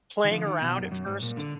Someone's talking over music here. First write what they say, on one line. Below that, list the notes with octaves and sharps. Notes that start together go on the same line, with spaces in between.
playing around at first.
D#3
D3 F3
D#3
B2
F#2
F#2
G#2
A#2
D3